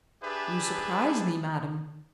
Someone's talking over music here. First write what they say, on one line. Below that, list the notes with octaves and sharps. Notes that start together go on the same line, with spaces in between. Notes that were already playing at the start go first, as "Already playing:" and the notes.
"You surprise me, madam."
D4 G4 G#4 B4 E5 A5